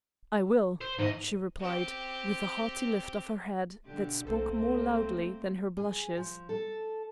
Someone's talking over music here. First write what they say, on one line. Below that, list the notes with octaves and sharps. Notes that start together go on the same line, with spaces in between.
"I will," she replied, with a haughty lift of her head that spoke more loudly than her blushes.
C5
E2 G#2 D#5
C4 G4
B2 D3 G4
C2 A3 A#3 C4 A4 C5
G#4
F3
A4